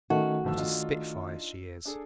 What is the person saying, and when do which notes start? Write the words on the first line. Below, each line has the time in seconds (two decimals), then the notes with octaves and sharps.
What a spitfire she is!'
0.10 D#3 A3 C#4 D#4 F#4
0.44 G1 F3 E6
0.58 D4 D#4 F4
1.85 D4 G#4 A4